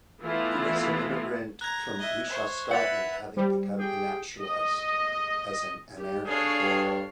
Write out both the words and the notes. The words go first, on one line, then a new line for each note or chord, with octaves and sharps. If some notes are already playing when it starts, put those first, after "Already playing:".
He was an immigrant from Wishaw, Scotland, having become a naturalized as an American.
E3 A3 B3 E4 F4
A#5 F#6 G#6
D#5 E5
C5 C#5
B4 E5 F#5 E6 A6 F7
G3 C5
G4 G#4 G5
D#5
G4
D4 G#4 A4 C#5 F5
G2